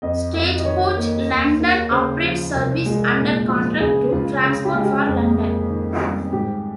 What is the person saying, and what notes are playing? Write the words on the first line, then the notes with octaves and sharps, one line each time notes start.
Stagecoach London operates services under contract to Transport for London.
F2 D#5
F2
D#5
D#3 C#5
A#3
D#2
A#3
C#3 C5
F3
C2
G#3
A#2
F3
C#2 G#4
C#2 F4
C#3
G4
G#3
G4
F2
A#3
D#3
G3
G#2 G4